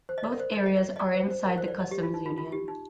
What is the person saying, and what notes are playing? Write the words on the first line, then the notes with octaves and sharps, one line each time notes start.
Both areas are inside the customs union.
C5
D#5
D5
A#4
C5
D#5
D#5
D5
D#5
D5
C5
C5
A#4
C5
D5
D#5
G4
F4
D#4
F4
F4
G4
D#4